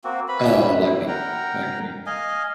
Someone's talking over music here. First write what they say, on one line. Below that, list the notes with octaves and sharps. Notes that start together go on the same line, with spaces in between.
Oh, lucky, lucky.
A#3 C4 F#4
B4 B5
E4
A#4 F#5 G5 A#5
D#5 F5 G#5